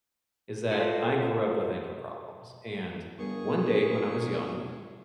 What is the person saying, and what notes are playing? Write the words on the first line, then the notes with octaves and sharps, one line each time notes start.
is that I grew up with anger problems and one day when I was young,
F4 A4 C5 C#5 F5 F#5
G1 G2 G#4 A#4 C#6